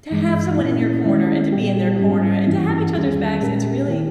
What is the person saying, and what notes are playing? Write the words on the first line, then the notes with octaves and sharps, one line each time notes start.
to have someone in your corner and to be in their corner and to have each other's backs. It's really
G2 E3 G#3
A#2 A#3 C#4 E4
D#3 G#3 C#4 E4
A#2 G3 B3 G4
G#2 G3 C#4
G2 E3 A#3 C#4 E4
E2 D#3 G3 C#4 G#4
A#2 G#3 C#4 G4 A#4
D#3 A#3 E4 G4